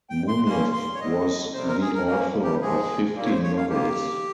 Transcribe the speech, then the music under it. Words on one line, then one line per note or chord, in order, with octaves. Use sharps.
Munif was the author of fifteen novels.
G5
C6
G2 G3 A#3 C#4 C6
C6
C#5
G#2 G3 C4 D#5
C3 G3 C4 C5
A#4
G#4
A#4
G2 F3 A#3 C#4 A#4
G4
G#2 F3 G#3 G#4
A#2 G3 A#3
C#5
C5
C#5
F5
D#2 D#3 A#3 G4